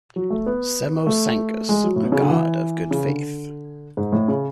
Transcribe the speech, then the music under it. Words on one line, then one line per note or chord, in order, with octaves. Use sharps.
Semo Sancus, a god of good faith.
F#3
A3
B3
A3
G#3
F#3
A2
B2
C#3
D3
E3
C#3
D3
G#2
A2
C#3